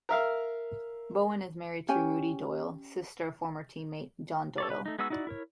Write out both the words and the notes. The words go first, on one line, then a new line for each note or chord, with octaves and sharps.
Bowen is married to Rudie Doyle, sister of former team mate John Doyle.
A#4 E5 F5
C#4 G4 G#5
A4 C#5 D5
B4
A3 D#4
G#3 B3 D#4 F#4 E6
D#4 E4 F#4 D5
E4 A#4 C#5